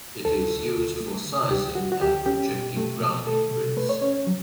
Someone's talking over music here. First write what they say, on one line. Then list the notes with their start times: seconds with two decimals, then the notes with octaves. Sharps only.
It is used for sizing and projecting grounding grids.
0.25 D2 A4
0.50 D3
0.76 D2
1.00 A3
1.26 D3
1.50 D2 G4
1.75 D3 F#4
1.92 F#4
2.01 D2 G4
2.26 C#4 G4
2.51 B2
2.77 A3
3.01 B2
3.26 A3 A4
3.51 B2
3.77 A3 B4
3.89 C#5
4.01 C#4 C#5
4.27 F#3